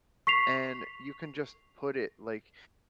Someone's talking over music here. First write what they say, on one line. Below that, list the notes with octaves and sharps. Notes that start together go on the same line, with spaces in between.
and you can just put it, like,
C#6 B6 C7 F7